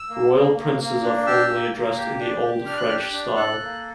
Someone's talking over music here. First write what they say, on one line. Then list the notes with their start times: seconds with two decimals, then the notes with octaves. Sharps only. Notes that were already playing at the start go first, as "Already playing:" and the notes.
Royal princes are formally addressed in the old French style.
Already playing: E6
0.10 A#3
0.33 A#3
0.56 A#3
0.80 A#3
1.02 D4
1.26 G4 E6
1.50 A#3
1.73 A#3
1.97 G4
2.19 D4
2.43 G4
2.66 D4 F6
2.77 F#6
2.89 G4 F6
3.02 F#6
3.12 D4
3.36 A4 F#6
3.60 A#3